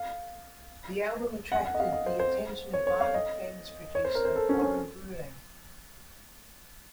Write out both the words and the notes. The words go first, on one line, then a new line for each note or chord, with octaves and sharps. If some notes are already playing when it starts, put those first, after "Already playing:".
The album attracted the attention of Violent Femmes producer, Warren Bruleigh.
Already playing: F5
F#5
F#5
D#5
F5
D#5
C5
C5
C#5
C#5
F5
D#5
C#5
C5
A#4
C5
A4
C#4
C#4